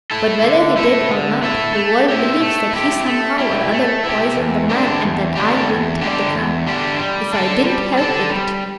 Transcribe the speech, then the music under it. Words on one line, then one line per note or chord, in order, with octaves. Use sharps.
But whether he did or not, the world believes that he somehow or other poisoned the man and that I winked at the crime, if I didn't help in it.
A3 E4 A4
D3
A3 E4 A4
D3
A3 E4 A4
A3
E4 G4
A3
E4 G4
A3
E4 G4
A3
E4 G4
E2
D3 G3 D4 G4
E2
D3 G3 D4 G4
E2
D3 G3 D4 G4
E2
D3 G3 D4 G4
G3
D4 A4
G3
D4 A4
G3